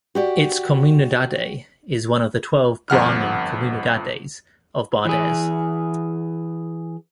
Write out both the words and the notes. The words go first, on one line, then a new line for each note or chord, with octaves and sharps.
Its comunidade is one of the twelve Brahmin comunidades of Bardez.
F#4 G4 D5
G1 F2 F#5 F6
E3 G#4